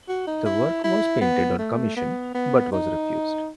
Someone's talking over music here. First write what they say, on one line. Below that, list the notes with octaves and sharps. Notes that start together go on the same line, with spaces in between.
The work was painted on commission, but was refused.
F#4
D#4
E4
E4
B3
A3
B3
B3
D#4